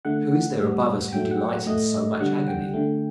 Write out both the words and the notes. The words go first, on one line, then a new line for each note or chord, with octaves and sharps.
Who is there above us who delights in so much agony?
D3 A3 F#5
A2 G3
A2 F#3 A3 G5
F#5
F#5
A2 A3 D#5
D3 G3 F#5
G5
D3 A3